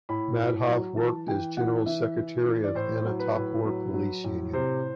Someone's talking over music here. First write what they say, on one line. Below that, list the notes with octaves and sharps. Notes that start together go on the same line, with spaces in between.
Madhav worked as general secretary of Anantapur police union.
A2 B5
A2
F#3
E3 A5
E3 G5
E3 F#5
E3 E5
E3
E3
D5
A2 C5
F#3
B4
A2
F#3
F#3
A2
C3 C5